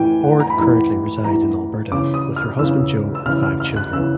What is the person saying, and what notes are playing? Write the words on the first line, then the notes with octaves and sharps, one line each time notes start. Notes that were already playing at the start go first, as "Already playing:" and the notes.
Ord currently resides in Alberta, with her husband Joe and five children.
Already playing: A2 E3 G5 G#5
F#5
A#5
B5
A2 E3 A#5
A2 E3 A#5
C#3 E3 D6
D#6
F6
C#3 E3 E6
E6
C#3 E3 F6
F6
F6
F#6
C#3 E3 E6